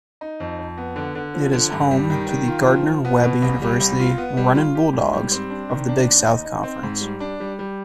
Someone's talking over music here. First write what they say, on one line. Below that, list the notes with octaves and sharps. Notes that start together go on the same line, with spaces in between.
It is home to the Gardner-Webb University Runnin' Bulldogs, of the Big South Conference.
D#4
F2
F2
B3
D3
D3
F3
D3
G2
G3
D#3
D#3
F4
F3
F3
B3
B2
C2
G3
C2
F4
B3
G3
F4
G4
G#2
G3
C4
D4
D#3
D4
D#2
D#4
D#4
C4
G#2
G3
D4
G3
G3